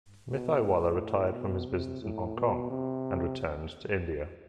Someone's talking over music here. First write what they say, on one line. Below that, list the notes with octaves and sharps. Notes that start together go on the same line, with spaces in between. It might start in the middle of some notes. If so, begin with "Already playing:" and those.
Mithaiwala retired from his businesses in Hong Kong and returned to India.
B2
A2
B2
C3
A2
B2
C3